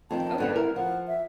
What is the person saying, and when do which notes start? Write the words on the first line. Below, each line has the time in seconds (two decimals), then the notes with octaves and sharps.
Oh, yeah,
0.11 F2 D#3 G5 A5
0.38 G2 D3 B3 B4
0.56 E4 A#4
0.76 F3 F#5
1.07 E5